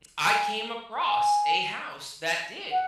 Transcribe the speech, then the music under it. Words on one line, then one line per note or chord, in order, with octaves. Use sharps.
I came across a house that did,
G#5
G#5
F#5